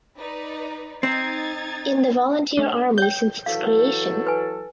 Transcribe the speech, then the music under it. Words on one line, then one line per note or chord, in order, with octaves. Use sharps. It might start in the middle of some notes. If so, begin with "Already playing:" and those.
In the Volunteer Army since its creation.
D#4 B4 D5
C4 D#4 G#6 A6
A3 D4
C#5 G5 G6
E3 F#3 A4 F5
B4 G#5